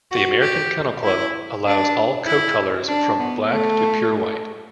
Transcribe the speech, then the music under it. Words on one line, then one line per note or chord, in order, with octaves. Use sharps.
The American Kennel Club allows all coat colors from black to pure white.
F#4
G4
E4
D4
E4
D4
B3
A3